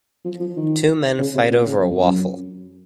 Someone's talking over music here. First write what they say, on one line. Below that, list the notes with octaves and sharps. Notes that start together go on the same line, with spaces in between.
Two men fight over a waffle.
F3
F3
D#3
C#3
C3
A#2
C#3
F#2
F2
F#2